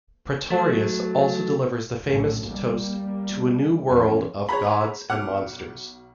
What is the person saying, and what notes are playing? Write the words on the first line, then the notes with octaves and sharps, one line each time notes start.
Pretorius also delivers the famous toast To a new world of gods and monsters!
F#3 A3
A#1 F#2 A2
G3 A#3
E2 G2 A#2 F3 F#3 C#4
G#4 B4 C#5 A#5 B5
B1 F#5 D6 F6